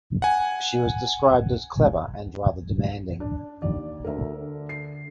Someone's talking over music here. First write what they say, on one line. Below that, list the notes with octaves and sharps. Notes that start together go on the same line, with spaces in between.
She was described as clever and rather demanding.
F#5 G#5
D4
D#2 D5
D2 A#4 E5
D3
C7